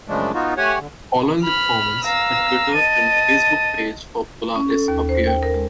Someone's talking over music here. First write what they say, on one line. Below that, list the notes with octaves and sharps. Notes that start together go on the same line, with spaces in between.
Following the performance, a Twitter and Facebook page for Polaris appeared.
F#2 C#3 F3 G#3 A3 D4
B3 D#4 F4 F#4
A3 G4 C#5 F#5 G#5
D3
B5 F6
F5 A#5 E6
D#5 A5 D#7
C#4
A4
D#2
C5
G5
A#4
G#3